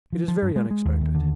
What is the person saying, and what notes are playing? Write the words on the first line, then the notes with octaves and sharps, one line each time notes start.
It is very unexpected.
F3
F3
G2
G#3
G#3
D#2
D#2
D3